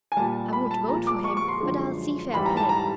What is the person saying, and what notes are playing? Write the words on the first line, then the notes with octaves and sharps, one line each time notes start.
I won't vote for him; but I'll see fair play.
G#5
A#2 G3 A5
B5
A5
A#2 F3 G#3 A#5
D6
C#6
C#6
C6
F#2 D3 F3 G#3
G#2 E3 G3 B5
A#5
A5
A#5